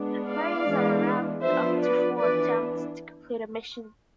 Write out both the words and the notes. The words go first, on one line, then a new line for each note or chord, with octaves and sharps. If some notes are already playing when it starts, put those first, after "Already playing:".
Players are allowed up to four attempts to complete a mission.
Already playing: G#3 B3 D4
D5 F5
E3 G#3 B3 D4
F3 B3 D4 C5 E5
B4 D5
E3 B3 D4 B4 D5